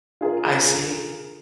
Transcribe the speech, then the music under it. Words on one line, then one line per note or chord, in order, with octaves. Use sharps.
I see.
F4 G#4 A#4